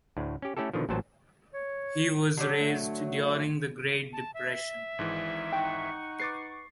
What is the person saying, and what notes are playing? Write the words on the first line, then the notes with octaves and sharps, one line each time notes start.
He was raised during the Great Depression.
D2 A2
C#4 G4
A3 C#4 E4 G4 A4
B2 D3 D#3 F3
A1 A#2 F#3 C5 A5
C#5
D3 F#3 G4
A3
A5
E5
G#1 G#2 E3
D#4 F#5 G5 C#6
B4 D6 A6 C7